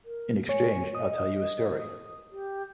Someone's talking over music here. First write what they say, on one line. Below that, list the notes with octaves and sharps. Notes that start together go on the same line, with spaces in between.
In exchange, I'll tell you a story.
A#4
C#5 G#5
D#5 D#6
G4